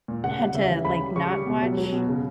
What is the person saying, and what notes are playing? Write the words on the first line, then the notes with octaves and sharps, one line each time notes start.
Had to, like, not watch
A#2
C#3 F#5
G3
C#3 E5
E3
C#3 B5
G3
C#3 C#6
G3
B2
F#3
F#3
B2
C#3